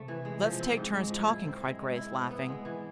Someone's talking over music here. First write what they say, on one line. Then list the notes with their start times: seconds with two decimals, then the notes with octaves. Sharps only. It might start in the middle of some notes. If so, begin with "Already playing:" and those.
"Let's take turns talking," cried Grace, laughing.
Already playing: C3 A3
0.08 E3
0.25 G#3
0.42 F3
0.59 C4
0.77 G#2
0.93 G#3
1.10 F3
1.28 E4
1.45 C4
1.62 G#3
1.79 G#3
1.96 E4
2.13 C4
2.31 B3
2.48 G#3
2.65 E3